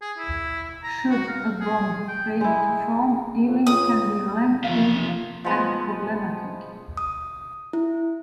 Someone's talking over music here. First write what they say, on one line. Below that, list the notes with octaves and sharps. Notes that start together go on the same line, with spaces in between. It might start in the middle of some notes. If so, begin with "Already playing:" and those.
Should a bond fail to form, healing can be lengthy and problematic.
G#4
E4
A#5
F#4
F5
G#4
G5
G#3 E4
F2
C#2 D#6
F2 C3 E3 F3 F5
F3 G#3 B3
D#6
E4